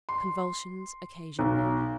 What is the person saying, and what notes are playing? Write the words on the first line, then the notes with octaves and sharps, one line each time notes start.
Convulsions occasionally.
C6
B1